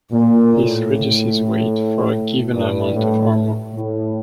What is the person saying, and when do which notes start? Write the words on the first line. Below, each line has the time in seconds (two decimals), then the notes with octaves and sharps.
This reduces weight for a given amount of armour.
0.12 A#2
0.53 A2
2.54 G2
2.93 A2
3.74 A2